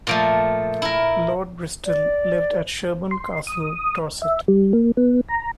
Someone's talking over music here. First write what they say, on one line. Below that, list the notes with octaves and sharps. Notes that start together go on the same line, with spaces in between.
Lord Bristol lived at Sherborne Castle, Dorset.
A#2 F3 A3
E4 A#4
D5
C6
D#6
E5
G3
A#3
B3
A#5